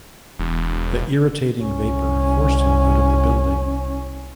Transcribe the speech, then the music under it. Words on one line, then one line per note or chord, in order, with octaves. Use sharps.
The irritating vapor forced him out of the building.
E1
C2 C#4